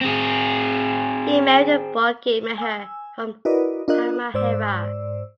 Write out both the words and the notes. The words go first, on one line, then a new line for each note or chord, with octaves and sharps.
He married Boki Mihir from Halmahera.
C4 G#4
G#5 E6
E4 F#4 A#4 B4 D5 D#5
D4 F4 A#4 D#5 F#6
G#2 C5 D5 E6